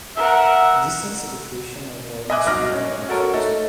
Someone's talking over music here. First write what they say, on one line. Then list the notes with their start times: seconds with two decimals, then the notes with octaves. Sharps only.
Distance education or boarding schools are options.
0.16 A#4 E5 F#5
2.30 D#5 E5 G#5 D6 F#6
2.46 D1 G1 D#4 D6 F6 A#6
2.73 C#4
3.09 F#4 A4 A#4 C#5
3.33 A3 D#4 A4